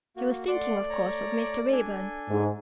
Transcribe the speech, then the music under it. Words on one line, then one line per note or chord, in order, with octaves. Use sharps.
She was thinking, of course, of Mr. Raeburn.
A#3 F#4
A3 D5 F#5 C6
C#5 A#5
D4 A4 G#5
G#2